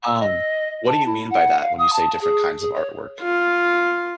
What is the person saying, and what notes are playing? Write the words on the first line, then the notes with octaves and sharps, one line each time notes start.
Um, what do you mean by that, when you say different kinds of artwork?
E6
D#5
A5
E4
F#5
F5
D#6
A5
G#4
G#4
C#5
F4